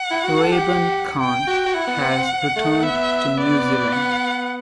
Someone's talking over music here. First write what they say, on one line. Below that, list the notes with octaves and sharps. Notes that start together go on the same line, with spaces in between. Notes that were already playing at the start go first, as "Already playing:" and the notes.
Raybon Kan has returned to New Zealand.
Already playing: F#5
E4
F#4
A4
G4
G5
F#4
F#4
E4 F#5
B3
C4
C4
A3
B3 E5
B3 D5
F#5